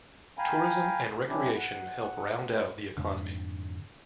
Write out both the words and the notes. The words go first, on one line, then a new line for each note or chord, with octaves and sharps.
Tourism and recreation help round out the economy.
F5 G5 G#5 A#5 B5
C3 F#3 C#4 D4 E4 G4
F#5
F2 G#2 D3